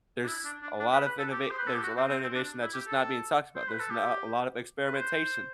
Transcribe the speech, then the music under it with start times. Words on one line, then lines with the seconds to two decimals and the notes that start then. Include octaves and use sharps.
There's a lot of innova There's a lotta innovation that's just not being talked about, there's not a lotta experimentation
0.24 D4
0.28 E4
0.45 D4
0.63 D4
0.80 D4
0.93 B4
1.06 B4
1.19 A4
1.32 G4
1.51 C5
1.59 B4
1.67 A4
1.75 G4
1.83 F#4
1.97 C4
2.09 C4
2.22 C4
2.35 D4
2.62 E4
2.74 G4
2.87 A4
3.56 C5
3.68 B4
3.80 A4
3.91 G4
4.86 B4
4.94 C5